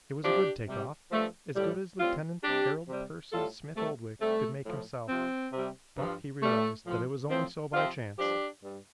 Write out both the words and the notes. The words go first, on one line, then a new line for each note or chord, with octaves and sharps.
It was a good take-off--as good as Lieutenant Harold Percy Smith-Oldwick could make himself but he realized that it was only so by chance.
C3 F3 D4 G4
C3 G3
G2 F3 A3
A2 G3
A2 G3 C4 F4
C3 G3 D4 G4
C3 G3
A2 G3 F4 A4
C3 G3 A3
C3 G3 A3
A2 F3
C3 F3 C4
C3 G3
G2 F3
G2 G3 A3
A2 F3
A2 F3 C4
C3 F3 C4 F4
G2 F3 D4 G4
G2